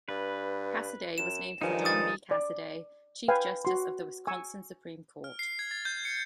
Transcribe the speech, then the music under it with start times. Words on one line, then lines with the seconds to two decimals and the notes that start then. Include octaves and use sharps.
Cassoday was named for John B. Cassoday, chief justice of the Wisconsin Supreme Court.
0.09 G2 B4
1.18 F#2 E7
1.61 G2 D#3 F3 D#4 G#5
1.85 D#6 A6
2.31 D5
3.28 B4 F5 G5 G#5
3.65 F#4 C6
4.27 G#5 C#6 E6
5.24 F6
5.39 C7
5.59 G#6
5.71 A6
5.85 G6
6.05 C#7